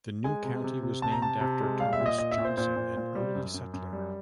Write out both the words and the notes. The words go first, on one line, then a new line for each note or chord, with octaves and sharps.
The new county was named after Thomas Johnson, an early settler.
G#3 G#5
C3
C3
C3
C3 A5
A#5
C3 A5
C3
G#3
G3 F5
E5
A#2
D#5
A#2 D#5
E5
A#2
C5
A#2 C5
A#2
A#2
G3
F#2
F#2
F#2
G3